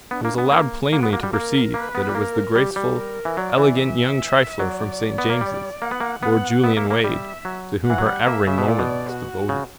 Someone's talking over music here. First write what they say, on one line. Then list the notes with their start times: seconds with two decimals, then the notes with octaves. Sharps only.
He was allowed plainly to perceive that it was the graceful, elegant young trifler from St. James's, Lord Julian Wade, to whom her every moment was devoted.
0.11 B3 D4
0.25 A#3
0.38 B3
0.52 A#3
0.93 A#3 F#4
1.03 B3
1.13 A#3
1.23 G3
1.33 A#3 A#4
1.73 A#3 B4
1.95 B3
2.09 G3
2.14 A#3 A#4
2.56 G3 G4
2.76 G3
2.97 A#4
3.25 E3
3.37 F#3 D5
3.58 E3
3.77 E5
4.59 F#3 D5
5.18 B3
5.30 A#3
5.41 G3
5.82 A#3 F#5
5.91 B3
6.00 A#3
6.22 B3 F#5
6.64 B3 E5
6.77 A#3
6.91 A#3
7.04 G3 E5
7.45 F#3
7.86 E3 F#5
7.98 F#3
8.06 G3
8.26 A#3 E5
8.47 C#3
8.58 B2
8.68 A#2 D5
8.79 B2
9.08 F#4
9.49 C#3